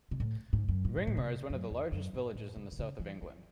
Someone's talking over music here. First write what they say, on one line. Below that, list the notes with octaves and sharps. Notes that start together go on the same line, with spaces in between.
Ringmer is one of the largest villages in the south of England.
C3
A2
G#2
F#2
A2
G#2
A2
C3
F#2
E2
F#2
G#2
A2
C3
C3
C#3
E3
E3